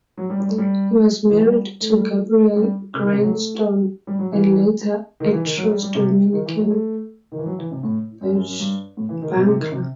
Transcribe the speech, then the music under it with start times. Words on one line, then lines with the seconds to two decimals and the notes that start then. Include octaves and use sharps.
He was married to Gilberte Graillot, and later actress Dominique Blanchar.
0.17 F#3
0.30 G3
0.40 G3
0.49 A3
0.58 G3
1.29 E3
1.36 F#3
1.43 G3
1.81 A3
1.89 G3
1.98 A3
2.56 G3
2.94 C3
3.04 D#3
3.13 C3
3.22 F#3
3.32 A3
4.07 G3
4.19 F#3
4.32 E3
5.20 D#3
5.32 E3
5.45 D#3
5.57 F#3
5.70 G3
5.83 G3
5.95 C3
6.33 D#3
6.46 E3
6.58 F#3
6.70 A3
7.32 D#3
7.38 E3
7.46 F#3
7.59 E3
7.71 C3
7.83 A2
8.21 F#2
8.34 F#2
8.46 F#2
8.60 G2
8.97 A2
9.09 E3
9.22 D#3
9.34 B2
9.47 C3
9.60 D#3
9.72 C3